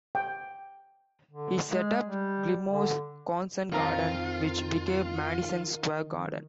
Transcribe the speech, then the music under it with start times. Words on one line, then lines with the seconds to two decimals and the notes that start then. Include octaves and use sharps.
He set up "Gilmore's Concert Garden", which became Madison Square Garden.
0.15 G5
1.31 D3
1.69 G#3
2.05 G3
2.68 D3
3.72 F2 D#3 C4 F4 A#5